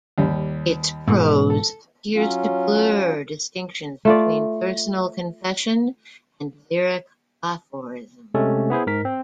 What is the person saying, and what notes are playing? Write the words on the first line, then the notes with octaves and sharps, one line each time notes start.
Its prose appears to blur distinctions between personal confession and lyric aphorism.
D#2 G3
G#2 B2 E3
A4
F#3 C#4 F4
A3 F4 D5
C3 G#3 A3 C#4 A4
B3 E4 G#4 C5
G#2 A#4 B6
C4